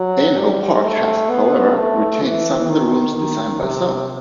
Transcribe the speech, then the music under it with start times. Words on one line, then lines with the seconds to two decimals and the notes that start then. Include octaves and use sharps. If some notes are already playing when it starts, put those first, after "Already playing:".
Aynhoe Park has, however, retained the rooms designed by Soane.
Already playing: F#3
0.38 G3
0.84 A3
1.30 B3
1.76 A3
2.23 E3
2.69 D#3
3.15 D#3
3.61 C3